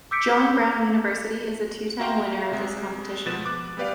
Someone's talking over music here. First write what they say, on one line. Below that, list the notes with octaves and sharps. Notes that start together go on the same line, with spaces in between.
John Brown University is a two time winner of this competition.
D6 E6 G6 B6 C#7 D7
F#4 E5 F5 G5 A#5 C6
C3 G#3
B2 F3 B4 A6 E7
D6 F#6
G3 B3 G4 B4 D5 F5